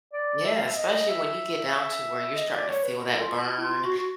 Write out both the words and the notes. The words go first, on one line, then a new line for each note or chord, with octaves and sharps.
Yeah, especially when you get down to where you're starting to feel that burn
D5
E5
F5
E5
D#5
E5
D#5
D5
C#5
B4
A#4
F4
E4
F4
F#4
F#4